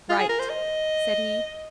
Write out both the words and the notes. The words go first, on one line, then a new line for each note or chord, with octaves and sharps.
"Write," said he.
F4
G#4
A#4
C5
D#5